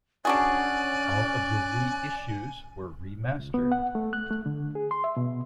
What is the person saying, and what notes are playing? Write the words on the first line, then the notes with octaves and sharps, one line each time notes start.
All of the reissues were remastered.
C#4 D4 F#4 G#4 D5 G#5 F#6
C#2
B3
F#5
A3
F#6
A3
D3
G#4
C6
E5
B2